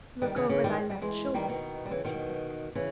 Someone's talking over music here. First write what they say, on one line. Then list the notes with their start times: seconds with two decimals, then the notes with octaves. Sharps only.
"Look over thy left shoulder," she said.
0.22 D#3 G3
0.36 C#3 E3
0.49 C#3 E3
0.64 D#3 G3
0.78 G#3
0.90 G3
1.02 E3 G#3
1.34 D#3 G3
1.48 B2 D#3
1.86 G3
1.91 C#3 E3
2.05 B2 D#3
2.75 C#3 E3